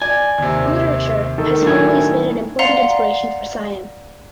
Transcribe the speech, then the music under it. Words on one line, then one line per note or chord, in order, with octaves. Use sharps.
Literature has always been an important inspiration for Sion.
D5 G#5
D#2 C3
D#3 A4
A2 F#3 D4 E4 G#5
D5 F5 F#5 A#5 C6